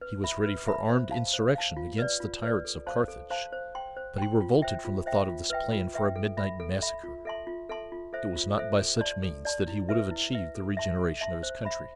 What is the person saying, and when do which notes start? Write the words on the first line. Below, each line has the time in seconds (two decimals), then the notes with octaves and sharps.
He was ready for armed insurrection against the tyrants of Carthage, but he revolted from the thought of this plan for a midnight massacre--it was not by such means that he would have achieved the regeneration of his country.
0.01 B4
0.24 E5 B5
0.45 B4
0.67 E5 B5
0.89 C5
1.11 F5 A5
1.34 C5
1.55 F5 A5
1.77 F4
1.98 B4 D5
2.20 F4
2.43 B4 D5
2.65 A4
2.87 C5 F5 A5 C6
3.08 A4
3.30 C5 F5 A5 C6
3.52 C5
3.75 G5 C6
3.97 C5
4.18 G5 C6
4.41 F4
4.62 C5 E5 G5
4.85 F4
5.06 C5 E5 G5
5.28 F4
5.50 B4 E5 G5
5.72 F4
5.94 B4 E5 G5
6.16 A4
6.37 E5 B5
6.60 A4
6.82 E5 B5
7.04 F4
7.25 A4 E5 A5 C6
7.47 F4
7.69 A4 E5 A5 C6
7.92 F4
8.13 A4 C5 E5
8.36 F4
8.58 A4 C5 E5
8.79 A4
9.01 D5 A5 C6
9.22 A4
9.45 D5 A5 C6
9.68 E4
9.89 B4 E5
10.11 E4
10.33 B4 E5
10.55 A4
10.77 E5 A5 C6
10.99 A4
11.21 E5 A5 C6
11.43 C5
11.65 E5 B5